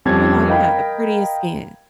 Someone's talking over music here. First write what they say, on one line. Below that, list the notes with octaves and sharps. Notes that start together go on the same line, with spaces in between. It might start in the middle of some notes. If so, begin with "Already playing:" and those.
"You know, you have the prettiest skin,
F2 G3 C#4 C#5 A5 G#6
A#4 D#5 F5 G5 A#5 B5